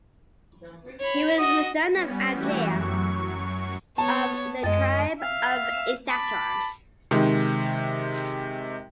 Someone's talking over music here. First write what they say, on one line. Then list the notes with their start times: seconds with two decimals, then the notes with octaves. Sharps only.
He was the son of Ahijah of the Tribe of Issachar.
1.00 C#5 B5
1.39 F#4 D#5 D#6
1.92 G3 B3 C#4
2.31 E3 A3 E4 F#4 G4
2.68 F#2 F#3 C#6
3.98 B3 C#5 A5
4.63 F#2 G#3 D#5 A6
5.20 E5 F5
6.09 A5 B5 D6
7.11 C3 D#3 G#3